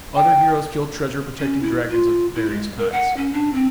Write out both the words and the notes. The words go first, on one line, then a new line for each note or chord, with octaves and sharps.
Other heroes kill treasure-protecting dragons of various kinds.
G5
C#4
E4
F4
E4
G#3
A#4
F#5
C#4
D4
C4